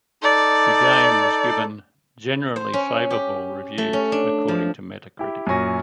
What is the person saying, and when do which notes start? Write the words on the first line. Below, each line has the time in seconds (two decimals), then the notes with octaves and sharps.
The game was given "generally favorable" reviews according to Metacritic.
0.23 D#4 A4 D5
2.56 C5
2.73 C#4
3.10 G4
3.78 A3
3.93 C#4
4.12 D4
4.48 F3
5.19 E4 G4
5.47 F#2 A#2 C#4 G#5 C#6 A#6